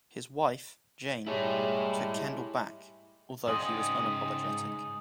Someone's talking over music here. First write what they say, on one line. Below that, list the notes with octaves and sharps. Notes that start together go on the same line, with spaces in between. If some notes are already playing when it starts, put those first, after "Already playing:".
His wife, Jane, took Kendall back, although he was unapologetic.
G3 G#3 E4 C#5
G#2 C#3 D#5 G5 G#5 C6 D#6 F#7